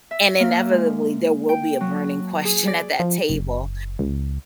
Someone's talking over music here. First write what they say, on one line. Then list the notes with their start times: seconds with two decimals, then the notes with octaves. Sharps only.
and inevitably, there will be a burning question at that table.
0.11 E5
0.40 A#3
0.71 G#3
1.49 G5
1.81 F#3
2.45 G#4
2.67 D5
3.00 F3
3.30 F#1
3.99 C#2